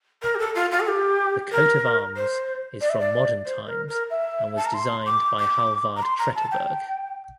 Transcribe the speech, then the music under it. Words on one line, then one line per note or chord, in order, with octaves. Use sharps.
The coat-of-arms is from modern times and was designed by Hallvard Tretteberg.
A#4
G4
A4
F4
F4
A4
G4
A#4
C5
D5
E5
D5
C5
A#4
A#4
E5
A5
A#5
C6
D6
D6
A#5
C6
A#5
A5
G5